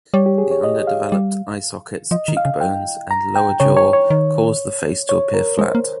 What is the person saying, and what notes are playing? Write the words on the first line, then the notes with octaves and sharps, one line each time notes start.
The underdeveloped eye sockets, cheekbones, and lower jaw cause the face to appear flat.
G3 C#5
G4
G#4
C#5
D#5
F5
G3
F3 D#5
D#3
F5
C#3
G5
A#5
G5
C#3 C#5
C#5
C#5
D#3
C#5
A#4
G#3 C5
A#3